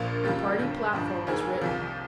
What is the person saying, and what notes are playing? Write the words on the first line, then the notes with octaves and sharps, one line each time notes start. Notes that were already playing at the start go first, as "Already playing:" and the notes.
The party platform was written.
Already playing: A#1 A#2 F3 F4
F1 D#2 C#3 F3 G4
G1 G2 F3
G#1 G2 F3
F1 D#2 D#3 G#4
C2 C3 F3